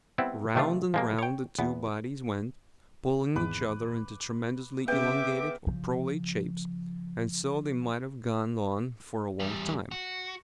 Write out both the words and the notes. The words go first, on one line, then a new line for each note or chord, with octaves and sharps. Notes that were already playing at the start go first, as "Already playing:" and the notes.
Round and round the two bodies went, pulling each other into tremendously elongated or prolate shapes, and so they might have gone on for a long time.
G3 B3 C4 E4
C3 D#3 A3 D4 F4
F3 G#3 A#3
C#5 G5
E2 B3
G#1 E2 G#3 B4 D6
C#3 B3 E5 G5 D6
C#3 F3
E2 G3
F#4